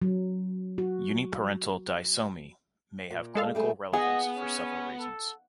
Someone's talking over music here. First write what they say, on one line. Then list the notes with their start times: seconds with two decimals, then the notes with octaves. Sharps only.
Uniparental disomy may have clinical relevance for several reasons.
0.02 F#3
0.78 F#4
3.11 A#2
3.35 G#3 A4 F5
3.55 G3 A3 G#4
3.93 B3 G#4 D#5 F#5
4.37 C#4
4.99 A4